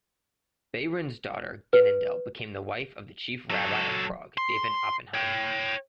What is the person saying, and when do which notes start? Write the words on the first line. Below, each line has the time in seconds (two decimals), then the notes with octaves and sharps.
Behrend's daughter Genendel became the wife of the chief rabbi of Prague, David Oppenheim.
1.73 B4
3.50 F#3 A4
4.38 C6
5.14 C#5 G5